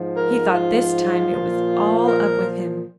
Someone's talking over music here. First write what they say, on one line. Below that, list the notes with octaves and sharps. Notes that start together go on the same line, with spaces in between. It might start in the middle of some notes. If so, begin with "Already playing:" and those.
He thought this time it was all up with him.
Already playing: G#2 F3
A#4
F4
A#2 F3
A#4